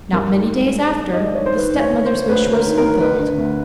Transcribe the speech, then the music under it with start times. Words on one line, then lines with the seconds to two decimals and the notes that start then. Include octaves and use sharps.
Not many days after, the stepmother's wish was fulfilled.
0.13 G2 A#4
0.32 D#3
0.49 G#3
0.67 G#3
0.86 G#3
1.03 D#3
1.13 D#5
1.21 G#3 D5
1.35 D#3 C#5
1.46 C5
1.57 D#3 B4
1.76 D2
1.81 C#5
1.93 D2
2.06 C5
2.12 D2
2.29 D2 B4
2.47 D2
2.53 A#4
2.65 D#3
2.78 A#4
2.83 D2
3.01 D2 B4
3.20 D3
3.38 D2